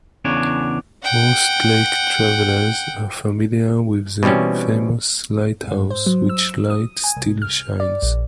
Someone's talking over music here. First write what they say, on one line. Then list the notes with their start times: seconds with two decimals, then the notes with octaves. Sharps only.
Most lake travellers are familiar with the famous lighthouse which light still shines.
0.25 E2 C#3 D4 C#5
1.03 F#5 G5
4.23 B2 E3 G3 C4 C#4
5.67 G#2
5.90 C5
6.06 F#3
6.29 E6
6.70 D#6
7.04 G#5
7.17 C2
7.42 F6
7.80 D5
8.02 A#1